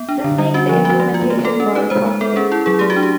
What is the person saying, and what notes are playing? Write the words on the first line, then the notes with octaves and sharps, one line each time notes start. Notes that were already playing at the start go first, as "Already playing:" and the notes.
This makes the implementation more costly.
Already playing: B3
D4
D3
G3
C#4 F#4
F3
F3 F#4
A3
F4
A3
A3 A4
C#4
D#4 B4
G#3 C5
G#3
B3 A4
C#4 G#4
E4
F#3 G#4
A3 G4
F#4
D4
G4